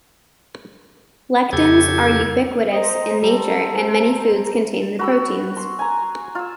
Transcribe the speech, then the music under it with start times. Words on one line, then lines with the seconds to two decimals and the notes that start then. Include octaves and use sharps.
Lectins are ubiquitous in nature and many foods contain the proteins.
1.53 F2 C#3 G4 A4 G#6
2.72 C5 D#5 A#5
3.22 G3 A4
4.99 F#4 B5 E6
5.57 C6
5.79 G#5 A#5
6.35 F4 E6